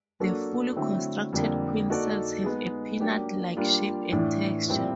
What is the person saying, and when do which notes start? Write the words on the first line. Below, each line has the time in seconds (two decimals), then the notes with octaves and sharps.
The fully constructed queen cells have a peanut-like shape and texture.
0.20 F#3 A#3 D4 F#4 A4
0.76 D3 F#3 A3 C4 E4
1.33 F2 D3 G3 A#3
1.89 A#3 D#4 F#4 A4 D5
2.44 G#3 B3 D#4 G#4
3.00 F#3 A#3 D4 G4
3.57 G3 A#3 D4 F4
4.12 A2 E3 A3 D4
4.68 A#2 G3 C4 E4